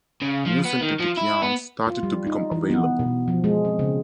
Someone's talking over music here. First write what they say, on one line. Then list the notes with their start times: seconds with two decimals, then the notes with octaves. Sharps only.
New synthetic yarns started to become available.
0.22 C#3
0.46 F3
0.65 B3
0.81 D#3
1.00 F3
1.17 E4
1.42 B3
1.87 F4
2.03 G3
2.27 D#4
2.52 E3
2.70 B3
2.99 B2
3.28 F3
3.44 G#3
3.65 C4
3.79 C#3